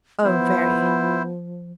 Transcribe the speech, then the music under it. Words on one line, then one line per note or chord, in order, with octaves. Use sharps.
"Oh, very."
F3 B3 E4 C5